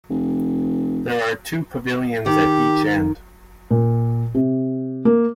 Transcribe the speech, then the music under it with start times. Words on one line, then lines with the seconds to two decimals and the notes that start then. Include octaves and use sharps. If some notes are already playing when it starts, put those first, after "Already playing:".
There are two pavilions at each end.
0.10 F1
2.26 D#3 G4
3.71 A#2
4.35 C3
5.05 A#3